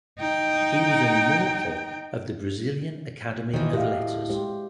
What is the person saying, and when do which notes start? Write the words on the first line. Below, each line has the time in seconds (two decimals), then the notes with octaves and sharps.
He was an "immortal" of the Brazilian Academy of Letters.
0.19 D#4 G5
3.54 D#3 E3 F#4 C5 D#5
3.73 A2 G4 F5
4.30 G#3 G4 C5